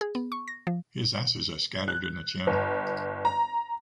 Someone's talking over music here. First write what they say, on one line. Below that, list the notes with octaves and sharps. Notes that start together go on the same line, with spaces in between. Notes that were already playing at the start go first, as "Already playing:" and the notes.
His ashes are scattered in the Channel.
G#4
B3
C#6
A#6
F3
F#6
G1
A#5